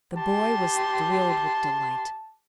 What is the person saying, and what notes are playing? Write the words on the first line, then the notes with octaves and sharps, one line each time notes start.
The boy was thrilled with delight.
G4 A5 C6